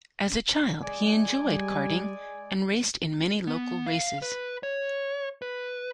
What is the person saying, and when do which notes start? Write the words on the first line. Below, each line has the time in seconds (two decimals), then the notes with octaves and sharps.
As a child he enjoyed Karting and raced in many local races.
0.83 G#3 D5 G#5
1.44 G3
3.47 B3
3.87 F5
4.22 B4
4.63 C#5
5.42 B4